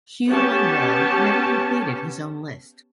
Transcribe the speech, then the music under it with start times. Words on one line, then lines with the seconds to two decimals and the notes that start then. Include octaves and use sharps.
Hugh Munro never completed his own list.
0.27 B3 C#4 G4 A5